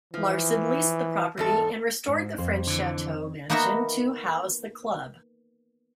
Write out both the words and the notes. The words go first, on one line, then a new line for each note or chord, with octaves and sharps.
Larsen leased the property and restored the French Chateau mansion to house the club.
E3 F3
E2 G#2 A4
G#2
F2 C5
D3 E3
A#3 B3 D#4 F#4 A#4 E5